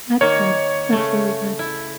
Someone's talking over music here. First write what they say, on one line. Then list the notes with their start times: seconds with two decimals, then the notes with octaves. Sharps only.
That's good. That's really good.
0.21 D#3 A#3 C#5
0.93 C#3 A3
1.59 E4